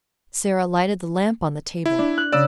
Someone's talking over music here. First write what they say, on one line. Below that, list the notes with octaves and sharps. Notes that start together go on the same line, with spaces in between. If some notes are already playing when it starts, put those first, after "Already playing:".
Sara lighted the lamp on the table.
E4
D4
F#6
C#3 D5 E6